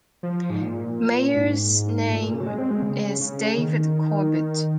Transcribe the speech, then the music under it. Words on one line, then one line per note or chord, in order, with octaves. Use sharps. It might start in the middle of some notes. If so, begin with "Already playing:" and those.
Mayors name is David Corbitt.
F3
G#2
A#2
G#2
A#2
A#2
C#3
F#3
G#3
C4
G#3
C#3
C#3
D#3